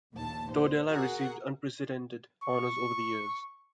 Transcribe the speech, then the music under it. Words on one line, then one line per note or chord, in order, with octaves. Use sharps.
Tordella received unprecedented honors over the years.
A#1 D#2 A#2 A5
C5
F#4 G#4 A#4 F#5
C#6